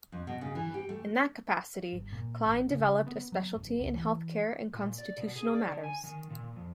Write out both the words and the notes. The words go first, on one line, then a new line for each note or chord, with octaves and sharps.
In that capacity, Klein developed a specialty in health care and constitutional matters.
F2
B2
C#3
E3
G4
A3
G1
A#2
A1
C#3
B3
F#3
F#1
C#2
E3
A#2
D5
B2
G#4
D5
D3
G#5
D#3
A#2
F2